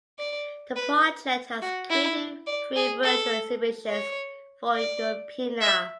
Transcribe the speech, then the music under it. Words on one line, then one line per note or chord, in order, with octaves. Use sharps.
The project has created three virtual exhibitions for Europeana.
D5
B4
F#4
E4
D5
G#4
A4
C#5
D5
E5